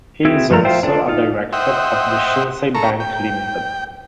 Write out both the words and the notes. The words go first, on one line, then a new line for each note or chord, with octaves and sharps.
He is also a director of The Shinsei Bank Limited.
C4 E4 F#4 G#4 E5 G5
G2 F3 A3 F4 A4 A#5
F4 C5 E5 F5 G5
D4 F4 A4
D#4 F4
C5 D#5 E5 F#5 G5
A4 A#4 A#5 C#6
G5